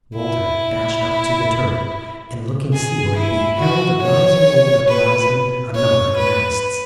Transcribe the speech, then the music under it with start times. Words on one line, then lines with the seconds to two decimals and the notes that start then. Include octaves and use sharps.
Walter dashed up to the turret, and looking seaward beheld rising over the horizon a number of masts.
0.15 E4
2.73 G#4
3.17 E4
3.59 F#4
4.03 C#5
4.89 B4
5.74 C#5
6.17 B4